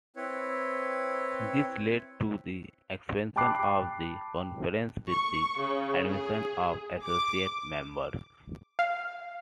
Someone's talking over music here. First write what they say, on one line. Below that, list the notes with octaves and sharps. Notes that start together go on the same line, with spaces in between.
This led to the expansion of the Conference, with the admission of Associate Members.
C4 E4 B4 C#5
G5 A5 B5 D6 F#6 C7
C#6
C#3
G#4
D6
F5